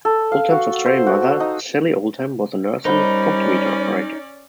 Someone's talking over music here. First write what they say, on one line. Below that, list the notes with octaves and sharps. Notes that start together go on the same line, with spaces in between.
Oldham's Australian mother, Celia Oldham, was a nurse and comptometer operator.
A4
F5
F#4
C5
F#4
D#4
G3 C#4 D#4 A#4 C5 D5 B5